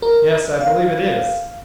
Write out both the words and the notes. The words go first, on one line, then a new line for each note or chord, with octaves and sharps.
"Yes, I believe it is."
A#4
F5